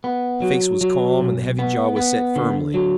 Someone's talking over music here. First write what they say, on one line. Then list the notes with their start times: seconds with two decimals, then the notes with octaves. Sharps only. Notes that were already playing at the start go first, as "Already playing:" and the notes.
The face was calm and the heavy jaw was set firmly.
0.04 B3
0.42 F#3
0.81 F#3
1.20 B1
1.59 B3
1.96 B3
2.36 D3
2.74 F#3